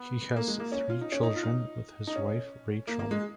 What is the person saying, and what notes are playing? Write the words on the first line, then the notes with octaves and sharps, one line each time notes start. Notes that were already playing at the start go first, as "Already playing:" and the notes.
He has three children with his wife, Rachel.
Already playing: B3
A#3
G#3
A#3
C#4
F4
D#4
C#4
D#4
F4
D#4
D#4
C#4
A#3
A#3
G#3